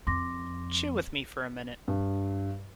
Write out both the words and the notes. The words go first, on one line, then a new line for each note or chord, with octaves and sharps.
Chill with me for a minute.
F2 C6 D6 A#6
G2